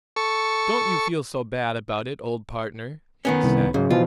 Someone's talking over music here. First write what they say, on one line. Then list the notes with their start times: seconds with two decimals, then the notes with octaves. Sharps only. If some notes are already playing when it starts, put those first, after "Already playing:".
"Don't you feel so bad about it, old partner," he said.
0.16 A4 C#6
3.25 D#3 B3 C#4
3.44 C2
3.74 G#2 C#3 F#3
3.91 B2 E3 F3 F4